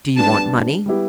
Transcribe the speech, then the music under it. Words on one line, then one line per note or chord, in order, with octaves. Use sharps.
"Do you want money?"
D3 G3 B3 D4 A5
G3 B3 E4 G4